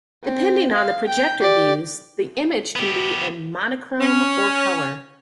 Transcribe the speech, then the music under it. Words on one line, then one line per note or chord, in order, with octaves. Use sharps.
Depending on the projector used, the image can be in monochrome or color.
C4
F5
G5 G6
G4 D5
B3 G4
C#4